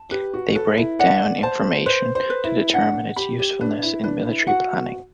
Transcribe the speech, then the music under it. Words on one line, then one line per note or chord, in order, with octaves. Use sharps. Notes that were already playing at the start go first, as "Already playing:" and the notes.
They break down information to determine its usefulness in military planning.
Already playing: A5
G4 B4
F#4
A4 B4
E4
D5 F#5
C5 A5
B4 C5
C5
B4
E4
D4 F#5
G4 B5
G4
D4 B4
E4
D4 B4
E4
F#4 F#5